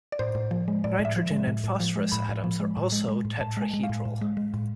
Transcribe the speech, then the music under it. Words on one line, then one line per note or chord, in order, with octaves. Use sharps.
Nitrogen and phosphorus atoms are also tetrahedral.
D5
A2 C5
A2
F3
G#3
A2 D5
A2
E5
F3
G#3
A2
A2
F3
G#3
A2 B5
A2
F3
G#3
A2
G#3
G#3
A2
A2 A5
G#3
G#5
G#3
F5
A2
A2
G#3
G#3
A2